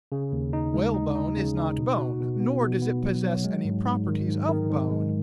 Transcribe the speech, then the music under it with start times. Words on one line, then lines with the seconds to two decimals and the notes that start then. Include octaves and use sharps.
Whalebone is not bone, nor does it possess any properties of bone.
0.12 C#3
0.32 D#2
0.53 D#4
0.74 G#3
0.94 D#4
1.15 D#4
1.37 C#3
1.57 D#4
1.78 B2
1.98 F#4
2.20 B2
2.40 B3
2.61 B2
2.82 B3
3.03 F#3
3.24 F#3
3.44 G#3
3.65 G#2
3.86 G#2
4.07 D#3
4.28 G#2
4.49 D#3
4.69 G#2
4.90 G#3